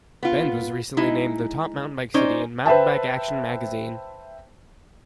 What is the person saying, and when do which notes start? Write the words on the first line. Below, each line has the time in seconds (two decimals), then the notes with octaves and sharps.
Bend was recently named the top mountain bike city in Mountain Bike Action magazine.
0.23 B3 F4
0.97 G#3 D#4 E4
2.14 C#4 D#4 C5 D5
2.66 B4 C5 E5 G5 A5